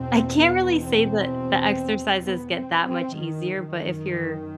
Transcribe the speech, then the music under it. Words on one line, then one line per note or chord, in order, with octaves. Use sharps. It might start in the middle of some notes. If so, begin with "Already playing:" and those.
I can't really say that the exercises get that much easier, but if your
Already playing: E2 B2 C4
B3
C4
B3
C4
C4
F#2 D#3
D#3